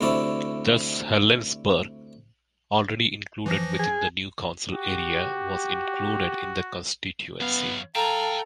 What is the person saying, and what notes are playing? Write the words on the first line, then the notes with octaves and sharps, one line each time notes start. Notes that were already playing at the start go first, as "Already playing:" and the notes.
Thus Helensburgh, already included within the new council area, was included in the constituency.
D2 C3 C#4 E4 C#5 D5
E3 F3 A#6
G#4
F#4 G4
F#2 B3 F5
A4 F5 G5 A5 A#5